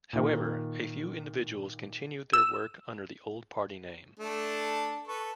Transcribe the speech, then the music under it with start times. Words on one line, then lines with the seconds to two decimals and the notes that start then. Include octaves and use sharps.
However, a few individuals continued their work under the old party name.
0.13 A#2 D#3
2.33 E6
4.19 A3 D4 A4
5.07 A4 B4 C#6